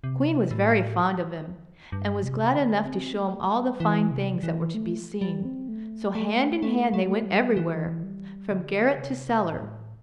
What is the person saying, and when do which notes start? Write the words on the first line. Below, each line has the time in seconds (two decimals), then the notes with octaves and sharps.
The queen was very fond of him, and was glad enough to show him all the fine things that were to be seen; so hand in hand they went everywhere, from garret to cellar.
0.04 C3
0.51 A2
1.92 G2
2.23 C3
2.54 D3
2.86 C4
3.17 A3
3.49 G3
3.80 E3
4.11 C3
4.37 G3
4.43 E3
4.74 A3
5.21 G3
5.45 C4
5.68 A3
6.15 A3
6.62 A3
6.94 A3
7.01 G3
7.09 A3
7.25 G3
7.57 E3
8.03 G3
8.51 D3
8.97 C3
9.45 A2